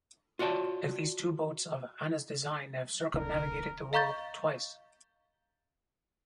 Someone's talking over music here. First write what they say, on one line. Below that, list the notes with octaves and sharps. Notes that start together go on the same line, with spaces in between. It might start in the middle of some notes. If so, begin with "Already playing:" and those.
At least two boats of Hanna's design have circumnavigated the world twice.
F4 F#4 C#5 D5 A5
D1 C2 D3 A#4
D#5 F5 A#5 C#6 G6 A6